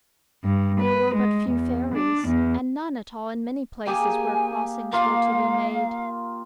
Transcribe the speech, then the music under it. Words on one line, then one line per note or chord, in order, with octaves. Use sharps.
There were but few ferries, and none at all in many places where crossings were to be made.
G2
B4
G#3
E2
D4
E2
A#3 G4 G#4 G#5
A#3 F4 F5